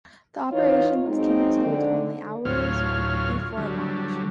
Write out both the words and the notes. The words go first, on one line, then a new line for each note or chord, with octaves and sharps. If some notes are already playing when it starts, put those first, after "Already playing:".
The operation was canceled only hours before launch.
E3 D#4 F4 B4 C#5
F3 F#3 G#3 C4 D#4
D3
D2 A2 F#3 F4 C#5 F6
D3 F#3 G3